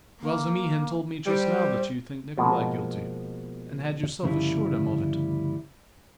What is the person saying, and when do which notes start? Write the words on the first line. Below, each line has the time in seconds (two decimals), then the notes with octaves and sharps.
"Razumihin told me just now that you think Nikolay guilty and had yourself assured him of it...."
0.20 A#3
1.26 G3 C5
2.38 B2 F3 G#3 A#3
4.23 D2 G2 C#3 F3 G3 E4